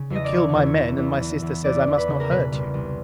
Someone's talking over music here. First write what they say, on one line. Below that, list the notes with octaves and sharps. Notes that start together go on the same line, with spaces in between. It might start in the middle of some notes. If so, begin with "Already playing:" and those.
You kill my men, and my sister says I must not hurt you.
Already playing: C#3
E2
D#5
D5
E3 C#5
E2
C#5
E3
E2
E3
E2
E2 D5
E2
B4
C#3
A#4
B2 B4
C2
C2